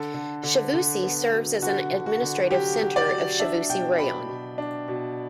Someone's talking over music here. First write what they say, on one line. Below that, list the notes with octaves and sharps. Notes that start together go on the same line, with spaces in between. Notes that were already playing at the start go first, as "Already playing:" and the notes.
Chavusy serves as an administrative center of Chavusy Raion.
Already playing: D3 A4
D3
D3
D3
B3
F#3
D3 F#4
D3
F#4
D3
F#3 G4
F#3
D5
F#3
D4 E5
B2 G5
D4 B5
B2
D4
B2